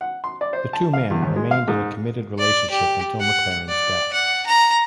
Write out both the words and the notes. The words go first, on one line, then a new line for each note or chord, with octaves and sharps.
The two men remained in a committed relationship until McLaren's death.
F#5
C6
D5
C5
A5
F5
E2
D#2
G#3
F5
G#2
D5
G4
F#5
D5
F#5
A#5